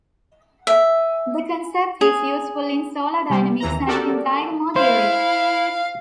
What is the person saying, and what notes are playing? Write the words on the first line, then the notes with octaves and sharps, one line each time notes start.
The concept is useful in solar dynamics and in dynamo theory.
E5
G#4
C3 G3
D#2 E3 A#5
F#4 G4 A4 A#4 D5
E4 C5 F5